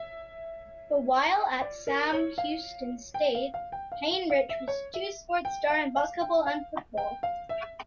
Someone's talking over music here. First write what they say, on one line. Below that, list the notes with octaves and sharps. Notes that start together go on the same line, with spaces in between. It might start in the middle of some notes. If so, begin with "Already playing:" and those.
While at Sam Houston State, Heinrich was a two-sport star in basketball and football.
Already playing: E5
D5
A#4
C#5
F5
G5
F5
F5
G5
F5
F5
F5
E5
C#5
E5
G5
F5
F5
G5
F5
G5
F5
E5